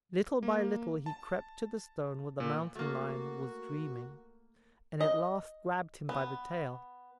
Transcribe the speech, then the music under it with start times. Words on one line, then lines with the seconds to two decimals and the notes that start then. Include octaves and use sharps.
Little by little he crept to the stone where the Mountain-lion was dreaming, and at last grabbed him by the tail.
0.43 A#3
1.06 A5
2.40 A#2
2.76 A3 A#3 F#4
5.01 D#5
6.09 B3